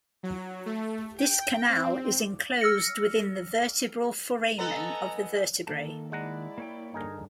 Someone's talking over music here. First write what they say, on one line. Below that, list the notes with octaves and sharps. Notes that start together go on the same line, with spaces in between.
This canal is enclosed within the vertebral foramen of the vertebrae.
F#3
A3
G5
C4
E6 F6 A#6 C#7
B3 A4 B4 D#5 G#5 A#5
D#3 A#3 A4 A5
G#3 E4 D5 F#5 A#5
A#3 C#5 G5
G2 D3 D#4 G#4 A#4